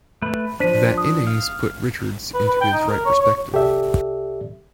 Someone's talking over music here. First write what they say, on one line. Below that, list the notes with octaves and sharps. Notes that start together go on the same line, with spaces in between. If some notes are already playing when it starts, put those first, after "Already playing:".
That innings put Richards into his right perspective.
A3 B4
F3 D4 C5 B6 D#7
D#6
F5
B4
B4
G5
D#4
A#4
C#5
C#5
C2 G4 A4 D5 E5